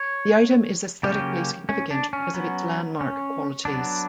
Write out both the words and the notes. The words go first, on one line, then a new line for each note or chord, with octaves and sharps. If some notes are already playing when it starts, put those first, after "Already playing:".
The item is aesthetically significant because of its landmark qualities.
Already playing: C#5
C#3 F#3 A#3 C#4 G4
C#4
D4
C#4
F#3 B3
C#4
F#3 B3 D4